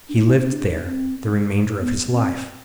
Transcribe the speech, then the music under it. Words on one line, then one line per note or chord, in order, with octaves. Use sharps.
He lived there the remainder of his life.
D4
E4
D4
C4
D4
C4
B3
C4